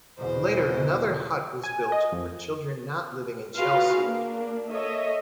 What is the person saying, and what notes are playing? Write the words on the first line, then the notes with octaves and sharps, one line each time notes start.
Later another hut was built for children not living in Chelsea.
E2 B2 C5
G#5
D#5
F2
F4 F#4 G#4 B4 F5
A#3 D4
A4 C#5 D#5 E5